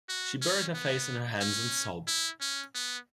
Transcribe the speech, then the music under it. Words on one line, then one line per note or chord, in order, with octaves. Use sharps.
She buried her face in her hands and sobbed.
F#4
C#4
B3
C#4
E4
C#4
B3